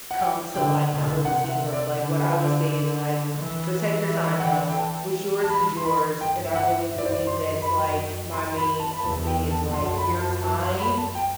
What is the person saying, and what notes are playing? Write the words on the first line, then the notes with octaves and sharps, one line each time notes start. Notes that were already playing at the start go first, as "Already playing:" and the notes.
Come to, like, the whole teamwork, like, what I would say is, like, "Protect your time, though. What's yours is yours." And I really believe that's, like, my main whole thing is, like, your time
F#5
G5
D3 G5
D3
C3 F#5
F#5
E5
D5
D3
B4
D3
D5
D3
E3
E5
F#5
G5
G5
A5
A5
E3 B5
C6
B5
G2 G5
E5
F#5
F#2 E5
D5
C5
D5
C6
B5
C6
B5
A5
B5
E2 A5
G5
A5
F#2 C6
A5
B5
A5
A5
C6
B5
A5
G5